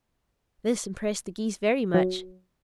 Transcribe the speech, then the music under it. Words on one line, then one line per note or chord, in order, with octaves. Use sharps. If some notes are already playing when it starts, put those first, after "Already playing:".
This impressed the Geese very much.
F#3